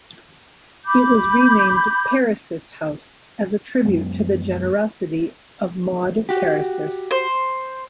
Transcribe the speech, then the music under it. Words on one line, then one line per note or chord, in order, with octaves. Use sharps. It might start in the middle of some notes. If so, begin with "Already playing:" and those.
It was renamed Peiris House as a tribute to the generosity of Maude Peiris.
B5 D6 G6
F#2 F#3 G#3 B3
F#4 G4
C5